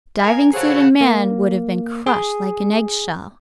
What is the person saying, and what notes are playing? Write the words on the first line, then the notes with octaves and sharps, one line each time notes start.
Diving-suit and man would have been crushed like an egg-shell.
A#4 D#5 F5 G#5
F#4 G#4 A4 C5 C#5 F5 F#5
A#3
G#4